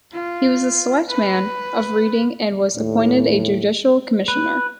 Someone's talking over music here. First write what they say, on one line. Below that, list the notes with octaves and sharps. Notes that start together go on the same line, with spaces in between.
He was a selectman of Reading and was appointed a judicial commissioner.
F4
B4
D#2 A2
B4